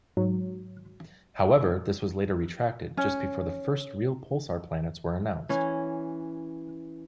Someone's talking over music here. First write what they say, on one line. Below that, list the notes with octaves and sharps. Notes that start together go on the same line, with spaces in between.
However, this was later retracted, just before the first real pulsar planets were announced.
G#2 F#3
C#4
E3 C#4